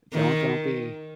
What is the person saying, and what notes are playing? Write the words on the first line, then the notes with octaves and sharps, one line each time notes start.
Don't don't be
D#3